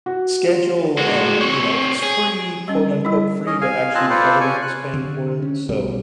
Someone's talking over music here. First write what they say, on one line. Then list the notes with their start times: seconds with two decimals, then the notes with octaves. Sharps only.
schedule, and, you know, it's free, quote unquote "Free," but actually the government was paying for it, so,
0.06 F#4
0.48 F4
0.97 G#3 F#4
1.41 C4 C#5
2.03 G#4
2.68 G3 C#4
3.05 G3 E4
3.47 C#4 G#4 D#5
3.61 F5 G#5
3.95 C4 F4 D#5 G#5 A5 F#6
4.10 F4 A4 B4 C5 D5
4.40 G#5 C#6
4.62 F#6
4.94 D3
5.42 C#4
5.69 B1 B2 G3